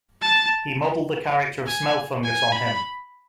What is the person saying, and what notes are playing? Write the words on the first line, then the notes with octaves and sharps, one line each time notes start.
He modeled the character of Smelfungus on him.
A5
G#5
G#5
B5